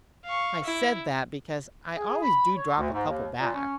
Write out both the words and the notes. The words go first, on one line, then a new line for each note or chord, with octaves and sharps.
I said that, because I always do drop a couple back.
F5 C#6
E4
G#4
B5
C#5
D2
G#2
D#2
A#2
C#4